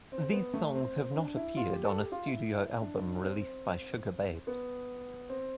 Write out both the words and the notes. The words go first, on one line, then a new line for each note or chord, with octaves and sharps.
These songs have not appeared on a studio album released by Sugababes.
C4
B3
A3
C4
D4
E4
F4
G4
A4
G4
F4
E4
D4
C4
B3
C4